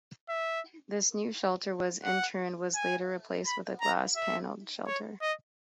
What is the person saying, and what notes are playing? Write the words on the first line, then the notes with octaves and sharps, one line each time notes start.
This new shelter was in turn was later replaced with a glass panelled shelter.
E5
F#5
G#5
B5
A#5
E5
C#5
D#5